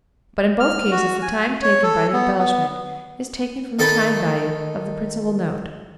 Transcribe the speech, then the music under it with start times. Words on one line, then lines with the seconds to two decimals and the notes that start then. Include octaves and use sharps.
But in both cases the time taken by the embellishment is taken from the time-value of the principal note.
0.60 F6
0.91 F#4
1.22 G#5
1.62 C#5
1.83 A4
2.13 B3
2.39 B3
3.79 D#3 A4 E5 G5 A5 B5